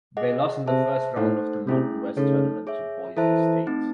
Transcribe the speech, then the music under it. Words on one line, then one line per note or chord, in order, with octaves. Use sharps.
They lost in the first round of the Mountain West Tournament to Boise State.
G#4 D#5 F#5
C3 G#4 C5 E5 A5
A2 A3 D#4 A4 C5 F#5
C3 A3 C#4 E4 G#4
C#3 A3 D#4 A4 C#5
G#4 C#5 E5
E3 E4 A4 C5 E5 A5
A3 C4 D#4